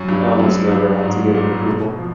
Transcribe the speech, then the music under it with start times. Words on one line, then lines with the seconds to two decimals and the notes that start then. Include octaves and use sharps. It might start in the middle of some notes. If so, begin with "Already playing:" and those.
I almost never had to get an approval.
Already playing: F#2
0.09 G2
0.40 F#2
0.72 G2
1.03 G#2
1.34 A#2
1.66 B2
1.98 F3